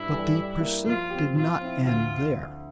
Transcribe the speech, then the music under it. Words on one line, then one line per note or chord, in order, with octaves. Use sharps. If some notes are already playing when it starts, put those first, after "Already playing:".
But the pursuit did not end there.
Already playing: G2 E4
E3 G3 D4 A4
G3
A#3 E4
F3 F4
C4 G4
F3 F4
C4 E4
D2 F4